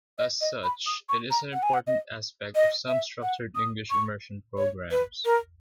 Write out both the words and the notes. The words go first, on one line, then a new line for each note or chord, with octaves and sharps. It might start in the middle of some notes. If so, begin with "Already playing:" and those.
As such, it is an important aspect of some structured English immersion programs.
D#5
D#5
B5
D#6
C#6
A#5
F#5
G#5
F#5
D#5
D#5
E5
F#5
D#6
C#6
C#5
B4
A#4